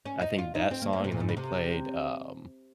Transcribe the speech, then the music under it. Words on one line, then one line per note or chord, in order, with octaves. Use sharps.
I think that song, and then they played, um
C#4
D#4
F4
D#4
C4
A#3
A#3
C3
A#2
G#2
C#3
C3